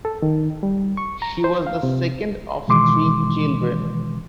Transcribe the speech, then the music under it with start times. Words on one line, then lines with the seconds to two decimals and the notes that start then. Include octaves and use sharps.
She was the second of three children.
0.05 A4
0.22 D#3
0.63 G3
0.97 C#6
1.22 A#5
1.44 C5
1.67 F5
1.83 C3
2.68 B2 D#3 E3 G#3 C6 D6